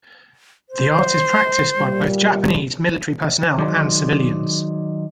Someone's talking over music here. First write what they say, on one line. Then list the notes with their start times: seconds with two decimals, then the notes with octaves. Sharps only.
The art is practised by both Japanese military personnel and civilians.
0.69 C5
1.76 A#2 G3
3.58 D#3 F#3 G#3 C5 D5